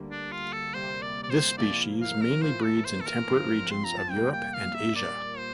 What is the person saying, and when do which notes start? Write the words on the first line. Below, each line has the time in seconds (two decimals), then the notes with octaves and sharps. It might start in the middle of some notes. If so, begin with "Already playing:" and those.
This species mainly breeds in temperate regions of Europe and Asia.
Already playing: D2 D3 G3 A#3
0.11 D4
0.32 F4
0.53 A4
0.74 D2 C3 G3 A#3 C5
1.02 D5
1.23 D5
1.30 C5
1.58 C2 C3 F3 A#3 E4 D5
2.01 F5
2.22 A#4
2.42 A2 E3 A#3 F4 C5
2.64 A4
2.85 C5
3.01 A4
3.06 A#4
3.27 A1 G2 F3 C4 F4
3.71 C6
3.84 A#5
3.98 A5
4.11 F2 C3 G3 A#3 G5
4.33 G5
4.54 F5
4.74 E5
4.96 A#2 G3 A#3 D5
5.38 C5